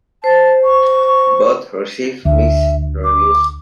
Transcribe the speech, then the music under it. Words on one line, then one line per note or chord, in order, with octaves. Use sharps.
Both received mixed reviews.
C5 A5
C#6
D2 E5
D6